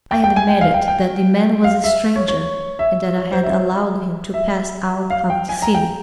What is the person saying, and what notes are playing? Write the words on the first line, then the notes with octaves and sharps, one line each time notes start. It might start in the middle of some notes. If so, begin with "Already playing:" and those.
I admitted that the man was a stranger, and that I had allowed him to pass out of the city.
G5
G5
G#5
G5
F5
G5
G5
F5
E5
C#5
C#5
E5
C#5
C5
E5
E5
F5
G5
G#5
A#5
G5